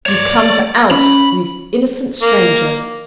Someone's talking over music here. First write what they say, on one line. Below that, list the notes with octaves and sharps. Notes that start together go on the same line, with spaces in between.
'You come to oust the innocent stranger.
C#5 D5
C#4 B5
A#3